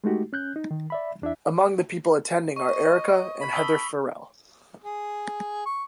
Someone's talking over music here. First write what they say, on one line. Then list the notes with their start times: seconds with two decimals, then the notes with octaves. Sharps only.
Among the people attending are Erica and Heather Farrell.
0.04 G#3 A3 D#4 F#4 G4
0.33 C#4 F#6 G6
0.56 D#4
0.71 D#3
0.90 D5 E5 B5
1.22 E2 D4 E4 E5
2.56 D#5 C#6
3.41 B5
3.53 A5 D#6 E6 G7
4.84 G#4
5.66 C#6